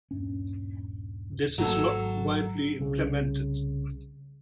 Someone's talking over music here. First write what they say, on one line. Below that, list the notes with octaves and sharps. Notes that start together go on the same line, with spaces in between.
This is not widely implemented.
D#1 G2 C#4
G#1 G#2 F#3 A#3 A4
C2 C#3